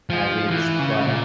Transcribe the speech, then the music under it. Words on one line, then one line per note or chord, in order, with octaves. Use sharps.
At least, but,
F3
E3
C#3
A#2